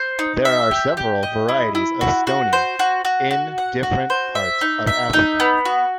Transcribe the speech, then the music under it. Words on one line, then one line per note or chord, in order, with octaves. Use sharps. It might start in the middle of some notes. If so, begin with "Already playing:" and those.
There are several varieties of Stoney in different parts of Africa.
Already playing: C5
D#4
E5
G4
G4
D#5
E4
E4
F#4
F#4
C5
F#4
F#4
F#4
F#5
F#4
C5
E5
D#4
E5
D#4
B3
F#4